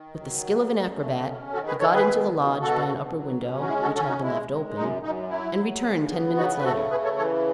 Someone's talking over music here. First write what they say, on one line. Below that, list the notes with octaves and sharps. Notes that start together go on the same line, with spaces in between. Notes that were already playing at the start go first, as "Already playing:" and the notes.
With the skill of an acrobat, he got into the lodge by an upper window which had been left open, and returned ten minutes later.
Already playing: D#3
F#3
C#3
C#3
A3
C#4
D#3 F#4 A4
G#4 B4
D#3 A4 C#5
G#4 B4
B2
B2
B2 F#4 A4
B2
F#3
C#4
F#4
G#3 E4 G#4
F#4 A4
C#4 F#4 A4
D#4 F#4
G#3 E4
G#3
F#2 D#4
F#2 D#4
F#3 E4
F#3
C#3
B3
C#3 D#4 F#4
B4
A3 F#4 A4
C#3 G#4 B4
A4 C#5
E3 A4 C#5